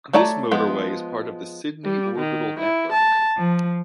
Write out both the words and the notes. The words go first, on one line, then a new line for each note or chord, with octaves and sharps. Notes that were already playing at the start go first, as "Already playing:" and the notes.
This motorway is part of the Sydney Orbital Network.
A3 C#5 D5 A5 A#5
F3 G#3 B3
G3
D#3
E4
A5
F3